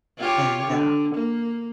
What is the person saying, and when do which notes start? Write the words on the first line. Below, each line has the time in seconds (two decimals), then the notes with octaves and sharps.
and uh
0.18 F4 G4 C#5
0.67 D3
1.15 A#3